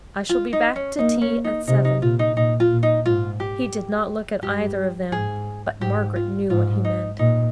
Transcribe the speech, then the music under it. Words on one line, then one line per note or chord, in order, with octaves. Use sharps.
I shall be back to tea at seven.' He did not look at either of them, but Margaret knew what he meant.
F4
D#4
C#4
A#3 D#4
C#4
D#4
C3 D#4
D#4
A#2 F4
D#4
A#2 D#4
F4
A#2
D#4
G#2 F4
G4
G2 G4
G#2 G#4
G#2 G4
F4
G#2 F4
D#4
A#2 D#4